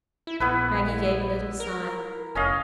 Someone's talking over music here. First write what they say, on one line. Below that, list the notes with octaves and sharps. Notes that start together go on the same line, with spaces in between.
Maggie gave a little sigh.
E4
A#1 B3 E4 B4
A#4
F1 C#4 D#5 F5